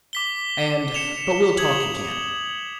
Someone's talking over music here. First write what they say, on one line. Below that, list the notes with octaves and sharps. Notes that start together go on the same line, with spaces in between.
And--but we'll talk again.
D6 B6 G7
C#7 E7 F7
D#6 G#6 F#7